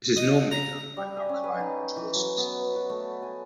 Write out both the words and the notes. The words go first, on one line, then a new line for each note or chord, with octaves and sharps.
This is normally done by alkaline hydrolysis.
D#5
A#5
G3
G#5
C#4
B4
D#4
E3
F#3
B3
F#4
A3
G#5